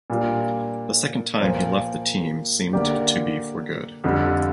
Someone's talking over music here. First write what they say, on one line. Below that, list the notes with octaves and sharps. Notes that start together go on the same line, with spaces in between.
The second time he left the team seemed to be for good.
A#2 G3 D4 F4
A#2 F3 A#3 F4 C5
D3 A#3 G4 D5
F2 D3 G3